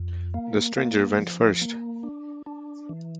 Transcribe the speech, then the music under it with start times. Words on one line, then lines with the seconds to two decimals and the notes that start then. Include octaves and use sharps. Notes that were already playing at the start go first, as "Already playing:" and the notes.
The stranger went first.
Already playing: F2
0.34 A#3
0.76 A#3
1.19 F3
1.62 A#3
2.03 D4
2.46 D4
2.89 E3